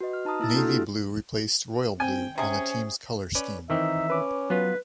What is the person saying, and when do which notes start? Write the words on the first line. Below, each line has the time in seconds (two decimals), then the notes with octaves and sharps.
Navy blue replaced royal blue on the team's color scheme.
0.01 F#4 B4 D#5
0.13 F6
0.25 D#4 A5 A#5 D#6 F6
0.40 A#3 E4 E6 A6
0.54 A#3 D4 F#4 A4 F6
0.68 E4 F4 G4
2.00 C4 G5 G#5
2.38 C3 C#4 G#4 C5
3.35 C#4 B4 D5
3.70 D#3 E3 C4 D#4 E5
4.10 C#4 B4 D6
4.50 F#3 B3 F4 B4